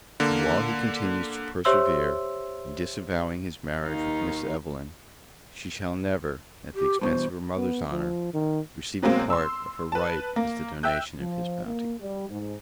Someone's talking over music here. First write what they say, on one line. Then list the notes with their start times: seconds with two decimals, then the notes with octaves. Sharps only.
And while he continues to persevere in disavowing his marriage with Miss Evelyn, she shall never, at the expense of her mother's honour, receive a part of her right as the donation of his bounty.
0.20 D3 A#3
1.65 G4 C5 C#5 E5 C6 E6
3.85 D#2 D#3 D#4 F5
6.75 G4
7.01 G2 B2 E3 C5
7.57 B3
7.91 F3
8.34 D#3
9.02 B2 F#3 G#3 A#3 C4
9.30 C6 E6
9.92 B4 A5
10.36 A#3
10.83 E5 G5 E6 F#6 G6
11.19 F3
11.64 A#3
11.99 G3
12.29 G#2